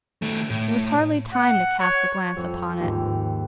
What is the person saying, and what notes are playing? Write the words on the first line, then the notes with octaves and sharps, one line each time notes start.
There was hardly time to cast a glance upon it.
D#3 A3
A2
F#5
C#5
F2
D#2 G#2